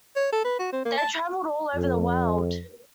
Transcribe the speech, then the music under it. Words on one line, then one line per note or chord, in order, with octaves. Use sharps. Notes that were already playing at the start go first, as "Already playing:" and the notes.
They traveled all over the world.
C#5
A4
B4
F#4
C4
A#3
A5
F2